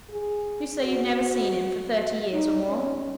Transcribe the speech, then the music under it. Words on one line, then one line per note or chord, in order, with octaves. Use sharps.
You say you've never seen him for thirty years, or more?
G#4
F#4
D#4
C#4